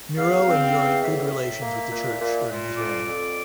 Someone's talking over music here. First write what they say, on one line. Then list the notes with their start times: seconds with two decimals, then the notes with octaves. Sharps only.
Miro enjoyed good relations with the Church during his reign.
0.17 E2 F5
0.47 C4
0.75 E2
1.04 A2 E5
1.33 A2
1.62 A#3
1.91 A#2
2.20 A#2
2.48 A#2
2.77 F2 D5
3.06 F2